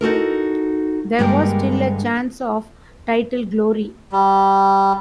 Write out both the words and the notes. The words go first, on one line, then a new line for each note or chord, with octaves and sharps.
There was still a chance of title glory.
D#4 F#4 A4 A#4
G2 D3 G#3 A#3 G4 A#4
G3